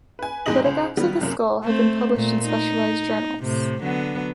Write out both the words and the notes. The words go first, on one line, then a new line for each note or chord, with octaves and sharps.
Photographs of the skull have been published in specialized journals.
B4 G#5
E2 G#2 G3 D#4 D#5 F#7
C#2 C5
D#3 F#3 G3 B3
C2 F#2 A#3
A3 C4
A#2 A3
D#4
A2 C3
D3 F#3 B3